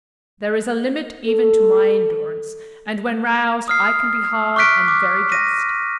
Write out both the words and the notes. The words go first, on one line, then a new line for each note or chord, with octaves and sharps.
There is a limit even to my endurance, and, when roused, I can be hard and very just.
A4
D#6 F6 C7
C#6 D6 F6 F#6 B6 D7
D6
A#6 D#7